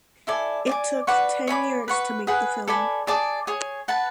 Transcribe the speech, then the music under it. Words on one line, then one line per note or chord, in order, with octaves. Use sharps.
It took ten years to make the film.
E4 A4 D5 G#5
D5 G#5 D6
B4 D5 F#5 C#6
C#5 G#5 B5 D6
B4 F#5 C#6
G#4 B4 F#5
A4 D5 G#5 B5
G#4 D5 A5 D6
G#4 C#5 G#5
B4 F#5 A5